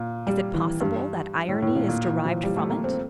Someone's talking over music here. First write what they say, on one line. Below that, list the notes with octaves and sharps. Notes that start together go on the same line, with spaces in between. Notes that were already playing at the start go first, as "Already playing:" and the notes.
Is it possible that irony is derived from it?
Already playing: A#2
G3
E3
G2
A2
A2
A#2
A#2
E3
F3
G3
A3
A#3
C4